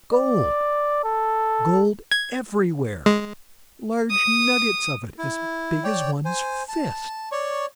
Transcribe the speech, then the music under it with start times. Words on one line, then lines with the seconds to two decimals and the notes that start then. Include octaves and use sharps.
Gold--gold everywhere; large nuggets of it, as big as one's fist!
0.12 D5
1.04 A4
2.11 G#6
3.06 G#3
4.11 D#6
5.19 E4
5.84 C#5 D5 G5
6.25 C5 G#5
6.69 A5
7.32 C#5 D5 C#6